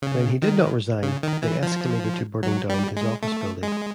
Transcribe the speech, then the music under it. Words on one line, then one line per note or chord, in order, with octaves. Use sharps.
When he did not resign, they escalated to burning down his office building.
C#3
D#3
C#3
D#3
E3
F3
F#3
G3
G#3
A3
G#3